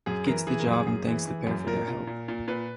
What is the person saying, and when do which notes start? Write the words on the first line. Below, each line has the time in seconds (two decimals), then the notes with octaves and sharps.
He gets the job and thanks the pair for their help.
0.06 F#2 G#4
0.26 E3 A#4
0.47 E3 G#4
0.60 A#4
0.67 F#2
0.73 G#4
0.87 F#2 G#4
1.07 E3
1.27 E3
1.47 F#2
1.67 A#2 A#4
1.88 A#2
2.07 A#2
2.28 A#2
2.48 A#2 B4